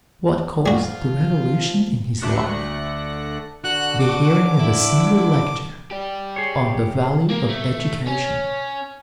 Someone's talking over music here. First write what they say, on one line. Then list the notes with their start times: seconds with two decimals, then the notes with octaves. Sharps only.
What caused the revolution in his life? The hearing of a single lecture on the value of education.
0.66 F3 G3 F4 F#4
2.20 D2 A3 D4 F#6 A#6 C#7
3.64 D3 F#4 F#6
3.99 D6
4.59 D3 E4
5.91 G4 D5
6.36 G#4 C#5
7.30 A#3
7.49 A3
8.07 C#4